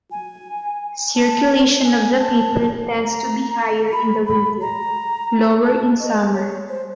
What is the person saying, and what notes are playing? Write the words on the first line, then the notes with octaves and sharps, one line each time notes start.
Circulation of the paper tends to be higher in the winter, lower in summer.
G#5
A5
G#5
A5
A#5
B5
B5
A#5
A5
D#5
C#5
C5